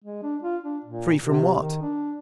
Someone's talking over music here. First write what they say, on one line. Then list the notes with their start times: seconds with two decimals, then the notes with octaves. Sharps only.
Free from what?
0.04 G#3
0.23 D4
0.42 F4
0.64 D4
0.84 A#2
1.21 C3
1.57 D#3
1.82 D4